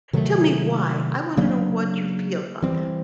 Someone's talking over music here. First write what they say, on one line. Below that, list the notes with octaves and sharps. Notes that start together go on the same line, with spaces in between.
Tell me why. I wanna know what you feel about that.
C3 D#3 F#3 A3
C#3 F#3 A#3 D4
E3 G3 C4